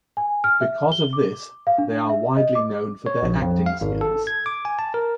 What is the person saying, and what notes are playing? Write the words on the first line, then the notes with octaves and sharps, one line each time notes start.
Because of this, they are widely known for their acting skills.
G#5
F6
E5
G7
D6
F5
D4
E5
D#5
D6
C#5
A#1
F2
F5
G#1
A4
G#6
D6
G#5
A5
A#4